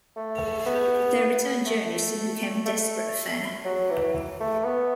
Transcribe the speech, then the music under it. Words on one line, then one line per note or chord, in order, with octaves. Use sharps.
Their return journey soon became a desperate affair.
A3
B3
A3
A3
F#3
E3
A3
B3